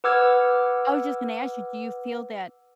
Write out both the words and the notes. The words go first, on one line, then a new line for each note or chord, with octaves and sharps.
I was just gonna ask you, do you feel that
B4 F#5 D6 E6 F6 G#6